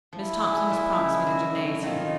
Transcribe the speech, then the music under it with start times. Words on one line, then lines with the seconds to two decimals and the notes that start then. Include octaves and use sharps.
Miss Thompson has promised me the gymnasium.
0.13 F3 D4 E4
0.41 G#3
0.70 A#2
0.98 C#3
1.27 F#3
1.55 F2
1.83 D#3 D#4 F4